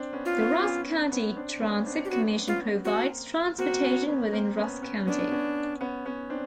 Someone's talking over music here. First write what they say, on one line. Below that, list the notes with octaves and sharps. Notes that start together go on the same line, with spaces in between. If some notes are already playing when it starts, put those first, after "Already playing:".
The Rusk County Transit Commission provides transportation within Rusk County.
Already playing: C4 D4
B3 C#4
F4
B3 C#4
B3 C#4
B3 C#4
C4 D4
B3 C#4
C4 D4
G4
B3 C#4 F#4
B3 C#4 F4
A#3 C4 F#4
A#3 C4 F#4
B3 C#4
B3 C#4
A#3 C4
B3 C#4
B3 C#4
B3 C#4 D4
B3 C#4
B3 C#4
B3 C#4
C4 D4